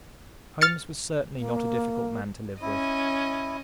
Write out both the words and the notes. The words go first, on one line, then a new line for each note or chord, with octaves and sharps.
Holmes was certainly not a difficult man to live with.
F6 A6 C#7
A#3
C#4 E4 D#5